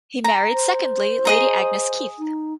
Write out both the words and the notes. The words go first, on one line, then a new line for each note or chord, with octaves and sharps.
He married secondly Lady Agnes Keith.
A#5
C5
G#4 D#5 A#5
D#4